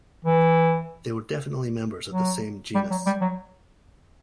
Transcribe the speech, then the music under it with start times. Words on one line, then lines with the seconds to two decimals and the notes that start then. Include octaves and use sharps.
They were definitely members of the same genus.
0.24 E3
2.12 F#3
2.75 G3
2.90 F#3
3.06 G3
3.21 F#3